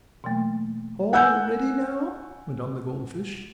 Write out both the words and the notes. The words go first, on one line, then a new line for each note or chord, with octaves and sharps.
"All ready now!" went on the gold fish.
B2 E3 F#3 A3 A#3
F#5 G#5 E6 F#6 G6